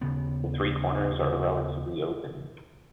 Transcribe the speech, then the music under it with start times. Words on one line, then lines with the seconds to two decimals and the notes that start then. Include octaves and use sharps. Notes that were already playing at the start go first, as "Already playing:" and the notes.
The three corners are relatively open.
0.01 D#2 C#3 B3